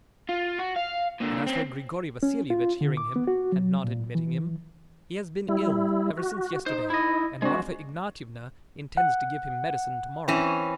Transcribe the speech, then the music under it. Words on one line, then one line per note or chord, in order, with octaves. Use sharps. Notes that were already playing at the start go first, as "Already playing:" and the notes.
And as for Grigory Vassilyevitch hearing him and not admitting him, he has been ill ever since yesterday, and Marfa Ignatyevna intends to give him medicine to-morrow.
F4
F#4
F5
A#2 D3
C4 C#4
C#4
F4
D3
D6
B3
F#4
F#3
A#2
E3
G3 E4
F#4
D#4 C5
E4 D#5
G#3 C4 D4 F#4
F#5
E3 C4 C#4